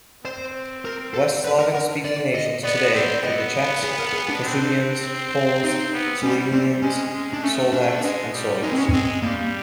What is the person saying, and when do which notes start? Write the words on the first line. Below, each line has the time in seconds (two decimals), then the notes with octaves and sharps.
West Slavic speaking nations today include the Czechs, Kashubians, Poles, Silesians, Slovaks and Sorbs.
0.25 C4 C5
0.85 A#4
1.14 A4
1.45 B4
1.59 A#4
1.75 A#4
2.05 D5
2.35 D#5
2.64 B3 D5
2.93 C4 D5
3.23 B3 D#5
3.84 G#4
3.99 A#4
4.13 G#4
4.29 D4
4.44 C4
5.63 C4 D#4
5.93 B3
6.23 G3 C#4
6.52 G3 C4
6.82 G#3 C#4
7.13 G#3
7.33 D4
7.43 A3 C#4
7.73 D4
8.03 G#3
8.33 G3
8.63 G#3 D#4
8.72 C4
8.78 C#4
8.93 G#3 C4
9.22 G3 A#3